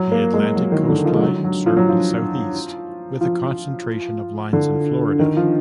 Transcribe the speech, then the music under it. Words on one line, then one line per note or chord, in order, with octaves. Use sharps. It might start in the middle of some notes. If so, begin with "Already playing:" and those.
The Atlantic Coast Line served the Southeast, with a concentration of lines in Florida.
Already playing: F#3
A#3
G#3
F#3
D#3
D3
F3
G#3
F#3
F#3
F3
F#3
F3
F3
D3
D#3
F3